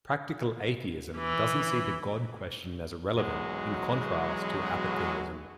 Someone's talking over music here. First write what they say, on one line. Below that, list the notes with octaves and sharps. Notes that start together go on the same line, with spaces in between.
Practical atheism doesn't see the god question as irrelevant, in contrast to apatheism.
E3
B1 E2 F#3 G#3 F#4